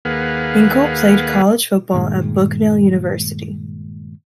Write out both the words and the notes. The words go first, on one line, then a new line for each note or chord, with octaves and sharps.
Hinkle played college football at Bucknell University.
D#2 A#3 G#4 B4 F5 F#5
G2 A#2 D#3 G#3